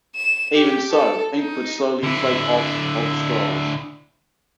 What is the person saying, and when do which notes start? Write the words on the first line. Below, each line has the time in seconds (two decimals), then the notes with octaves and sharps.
Even so, ink would slowly flake off of scrolls.
0.16 E7
0.55 G4
0.91 A4
1.38 D#4
2.04 D3 E4